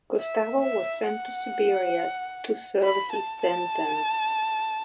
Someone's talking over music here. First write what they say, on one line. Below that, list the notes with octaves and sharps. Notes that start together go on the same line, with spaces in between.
Kostava was sent to Siberia to serve his sentence.
E5
E5
F#5
B5
A5
A5